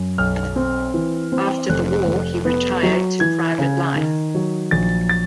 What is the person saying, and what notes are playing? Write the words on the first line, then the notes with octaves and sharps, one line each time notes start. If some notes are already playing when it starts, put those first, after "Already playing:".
After the war he retired to private life.
Already playing: F#2
B1 F6
C4
E3
C4
F1 F#6
F1
B3
F#3
E3 G#6
C#3
D#3
F#3
A#1 A6
A6